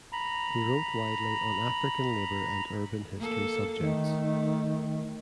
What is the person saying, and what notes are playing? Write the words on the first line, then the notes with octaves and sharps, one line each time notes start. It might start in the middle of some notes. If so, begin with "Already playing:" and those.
He wrote widely on African labour and urban history subjects.
A#5 B5
A#3 A4
D#3 A3